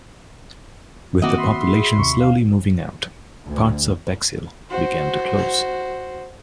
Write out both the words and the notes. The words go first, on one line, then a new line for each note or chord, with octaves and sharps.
With the population slowly moving out, parts of Bexhill began to close.
A2 D#3 F3 A#3 C4 F#4 D#5 D6
E5 B5 C6
G#4
D#2 C3 C#6
F5
D2
F#4 C5